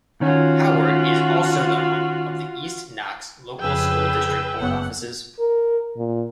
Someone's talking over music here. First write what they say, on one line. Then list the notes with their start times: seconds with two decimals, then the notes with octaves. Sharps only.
Howard is also the home of the East Knox Local School District board offices.
0.21 D#3 C#4 F4 F#4
3.60 F2 C#3 G#4 B4 G5 E6
4.60 F#1 B3 F#5
5.39 A#4
5.97 A#2